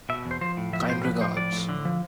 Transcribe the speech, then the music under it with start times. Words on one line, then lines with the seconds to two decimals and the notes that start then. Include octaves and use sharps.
Kind regards.
0.09 B2 E5
0.26 E2
0.31 C5
0.41 F3 C5
0.57 A2
0.73 F3 E5
0.89 A2 C5
1.05 F3 B4
1.21 A2 C5
1.37 F3 D5
1.53 A2
1.69 D3
1.85 F3